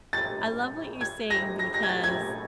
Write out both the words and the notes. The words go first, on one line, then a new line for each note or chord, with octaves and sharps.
I love what you're saying because,
A6
G#6
A#6
A#6
A#6
G#6
A6
G#6